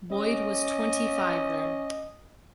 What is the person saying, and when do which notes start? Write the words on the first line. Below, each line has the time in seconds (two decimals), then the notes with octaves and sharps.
Boyd was twenty-five then.
0.12 C#4 D#5